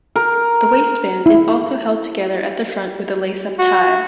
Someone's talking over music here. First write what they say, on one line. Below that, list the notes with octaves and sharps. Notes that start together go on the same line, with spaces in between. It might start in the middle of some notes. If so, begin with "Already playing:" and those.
The waistband is also held together at the front with a lace-up tie.
A#4
E4
F#4